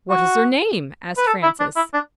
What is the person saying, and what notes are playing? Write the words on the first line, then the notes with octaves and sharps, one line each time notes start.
"What is her name?" asked Francis.
F#4
B4
A4
E4
D4
E4
D4